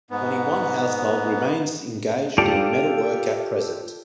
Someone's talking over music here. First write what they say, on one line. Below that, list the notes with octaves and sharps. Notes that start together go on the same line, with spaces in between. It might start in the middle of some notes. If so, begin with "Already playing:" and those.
Only one household remains engaged in metalwork at present.
G#2 B3
F4 G4 A4 D5 F5